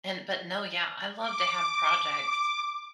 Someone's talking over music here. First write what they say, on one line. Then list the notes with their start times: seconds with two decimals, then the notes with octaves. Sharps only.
And but no, yeah, I love to have projects
1.20 D6
2.03 D6